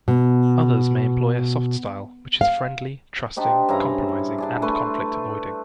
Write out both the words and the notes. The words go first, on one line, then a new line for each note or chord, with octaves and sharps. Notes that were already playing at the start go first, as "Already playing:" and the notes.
Others may employ a soft style, which is friendly, trusting, compromising, and conflict avoiding.
B2
F5
D4 D#4 G4 C5
G2 C#3 E4 A#5
D4 G#4 D5
A3 B4 C6